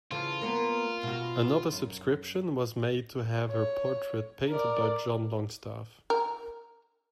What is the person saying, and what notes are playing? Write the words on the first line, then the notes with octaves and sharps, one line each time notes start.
Another subscription was made to have her portrait painted by John Longstaff.
C#3 E3 F4 A4
A#3 B3 A#4
B2 F#4
F#2
C#5
A#4 D5
A#4